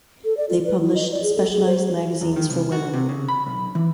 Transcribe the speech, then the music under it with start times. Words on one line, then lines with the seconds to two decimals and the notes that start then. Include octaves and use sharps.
They published specialized magazines for women.
0.25 A4
0.37 D5
0.49 F4
0.66 B4
0.79 E4
0.95 D#5
1.11 D5
1.23 G#4
1.35 A4
1.51 G#4
1.66 C5
2.21 E2
2.36 D#3
2.50 C2
2.72 F#4
2.94 C3
3.09 C#3
3.29 B5
3.47 B1
3.75 E3